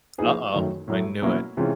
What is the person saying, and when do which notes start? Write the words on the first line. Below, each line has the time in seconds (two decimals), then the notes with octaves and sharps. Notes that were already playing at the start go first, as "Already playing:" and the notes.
Uh-oh, I knew it.
0.18 F3 A#3 D#4 G#4 B4
0.53 F#2 D#3 F#3 A3
0.88 A2 F#3 A3
1.22 B2 F#3 A#3 C#4 E4
1.57 C3 E3 G#3 C#4 F4